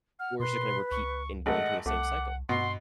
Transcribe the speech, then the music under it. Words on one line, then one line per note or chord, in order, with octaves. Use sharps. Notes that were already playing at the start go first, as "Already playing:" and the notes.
or it's ju gonna repeat and go into the same cycle.
F#5 F6
B2 B4 C6
C#2 C#6
G#1 A3 D#5 F#5 E6
C2 A3 F#5 D6
G2 B2 F#5 C6